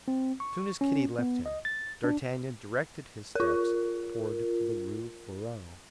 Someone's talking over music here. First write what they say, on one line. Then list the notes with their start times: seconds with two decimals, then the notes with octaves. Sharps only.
Soon as Kitty left him, d'Artagnan directed his steps toward the Rue Ferou.
0.08 C4
0.40 C#6
0.81 C#4
1.19 B3
1.46 D#5
1.65 A6
2.04 D4
3.35 F4 A#4